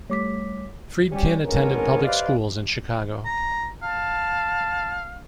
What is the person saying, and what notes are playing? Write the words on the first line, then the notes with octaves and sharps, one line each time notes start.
Friedkin attended public schools in Chicago.
G3 A3 C#5 D6 B6
G3 C#4 G4
G#1 G#3 B3 C#4 D4 A#4
G4 B4 C5 D5 D#5 F5
A#5
F5 A5